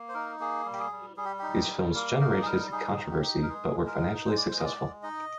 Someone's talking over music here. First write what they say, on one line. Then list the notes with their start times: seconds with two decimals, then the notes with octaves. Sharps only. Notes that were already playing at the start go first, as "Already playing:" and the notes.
These films generated controversy, but were financially successful.
Already playing: A#3
0.09 C5
0.14 D#4 A#4
0.40 A#3 G#4
0.66 G3
0.73 G4
0.79 G#4
0.92 G3
1.17 G3 G#4
1.25 G4
1.39 D#4 G4
1.69 G3
1.94 A#3 A#4
2.20 D#4 A#4
2.42 G#4
2.46 G3 A#4
2.72 D#4 G#4
2.97 D#4
3.10 G4
3.22 D#4
3.43 A#4
3.48 G#3 G#4
3.75 G#3
3.87 A#4
4.00 D#4
4.26 G#3 C5
4.37 D5
4.48 G#3 C5
4.59 D#5
4.65 D5
4.77 G#3
5.03 D#4 D#5